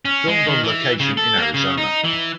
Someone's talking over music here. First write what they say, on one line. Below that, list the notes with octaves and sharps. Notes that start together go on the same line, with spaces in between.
Filmed on location in Arizona.
C#4
G#3
D#3
E3
C#3
A4
A#3
C#3
D#4
E3